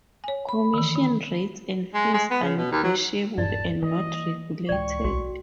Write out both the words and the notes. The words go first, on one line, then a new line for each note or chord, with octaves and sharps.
Commission rates and fees are negotiable and not regulated.
C#5 G#5
B5
D#3 E3
D#3
G#3
G#3
B3
C#3
B2
D#2
F#3
D#1 G2 D5 A5
E3 A#3 D#5
C#2 A2 D5 G5 C#6
B1 F#4